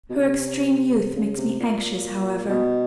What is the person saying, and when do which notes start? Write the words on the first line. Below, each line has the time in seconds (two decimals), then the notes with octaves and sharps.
Her extreme youth makes me anxious, however.
0.10 B2
0.14 C3
1.16 C#3
1.38 C3
1.60 A#2
2.49 B2